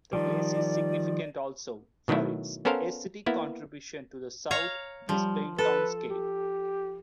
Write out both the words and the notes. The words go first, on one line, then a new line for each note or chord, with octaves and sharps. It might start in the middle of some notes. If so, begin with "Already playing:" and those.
The place is significant also for its aesthetic contribution to the South Brisbane townscape.
D#3 F3 G3 D5
B2 D#3 F#3 A3 E4
B3 C#4 A4 A#4 C5 F5
A#3 B3 E4
C#5 F5 A#5
F3 G3
A4 B4
G4